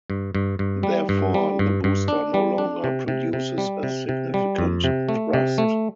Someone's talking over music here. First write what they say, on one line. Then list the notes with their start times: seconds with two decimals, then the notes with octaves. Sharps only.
Therefore, the booster no longer produces a significant thrust.
0.10 G2
0.35 G2
0.59 G2
0.83 G3
1.09 G2
1.34 G3
1.59 G2
1.84 G2
2.08 D4
2.34 G3
2.58 D4
2.84 C3
3.08 C3
3.33 C3
3.58 G3
3.83 C3
4.09 C3
4.34 G3
4.58 F2
4.84 C3
5.09 A3
5.33 C3
5.58 A3